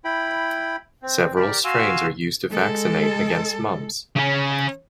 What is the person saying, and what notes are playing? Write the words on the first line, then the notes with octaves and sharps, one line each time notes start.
Several strains are used to vaccinate against mumps.
E4 G5 B5
C4
G4 A#4 D5
F#4 F5 G#5 C6 E6
G#3 A4
C#3 C#4